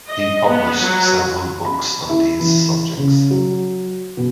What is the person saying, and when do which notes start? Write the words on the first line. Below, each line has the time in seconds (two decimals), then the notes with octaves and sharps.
He published several books on these subjects.
0.10 D#5
0.49 B3
0.84 F#3
1.65 B5
2.09 E4
2.40 E3
2.97 C#3
3.31 F#3
4.17 B2